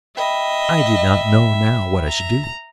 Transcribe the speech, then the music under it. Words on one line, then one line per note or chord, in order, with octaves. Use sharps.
I did not know now what I should do.
D#5 E5 G5 B5
A#5